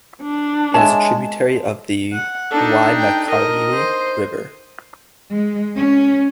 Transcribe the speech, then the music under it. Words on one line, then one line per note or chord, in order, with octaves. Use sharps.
It is a tributary of the Waimakariri River.
D4
G#3 C#5 E5 G#5 A5
F#5
D4 D#4 A4
G5
A#4 D#5
C5
G#3
C#4